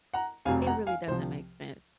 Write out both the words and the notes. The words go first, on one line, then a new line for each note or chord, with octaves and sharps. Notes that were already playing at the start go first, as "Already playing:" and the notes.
It really doesn't make sense.
F#5 A#5
F1 F2 C3 F#3 F5 G#5
F#5 A#5
F5 G#5
C2 C3 F3 C5